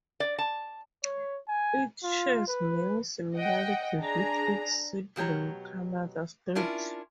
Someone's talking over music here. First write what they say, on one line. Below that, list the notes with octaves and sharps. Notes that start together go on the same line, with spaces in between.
It shares many similarities with its sibling Kannada script.
D5
A5
C#5
G#5
F4
B4
D#5 F#5 G5
D4 G#4 A#5
B2 F#3 G4 C#5 A#5
C#4 D4 E4 F4 A#4